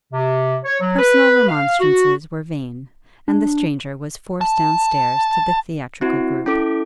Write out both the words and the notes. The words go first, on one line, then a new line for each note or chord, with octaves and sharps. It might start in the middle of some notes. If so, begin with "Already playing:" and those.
Personal remonstrances were vain, and the stranger was forced down stairs to the theatrical group.
C3
C#5
F#3
B4
F5
F#4
D4
A5
C4 E4 F#4
C#4 E4 A4 D6